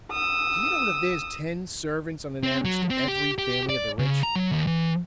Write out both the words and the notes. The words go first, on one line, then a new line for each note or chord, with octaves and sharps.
Do you know that there's ten servants, on an average, to every family of the rich?
D#6 E6
C4
F#3
C4
G4
G4
D5
C#3
A#5
F#3
D#2
E3